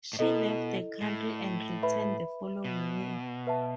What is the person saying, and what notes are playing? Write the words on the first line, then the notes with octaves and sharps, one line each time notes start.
She left the country and returned the following year.
A2
B2 E4 A4 D#5
A2
B4 E5 B5
B2
B4 E5 A5